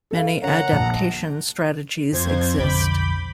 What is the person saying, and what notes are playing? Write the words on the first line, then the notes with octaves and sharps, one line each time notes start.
Many adaptation strategies exist.
A4 F5
D3 A#4 C#5 F#5 A#5
A#1 A5
F2 C5 G#6
B1 F2 D3 B5 D6 G6